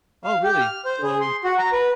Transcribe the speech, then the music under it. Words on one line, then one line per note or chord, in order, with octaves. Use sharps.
Oh, really? So
F5
G4
F6
C5
G#4
C6
F#4
A#5
B4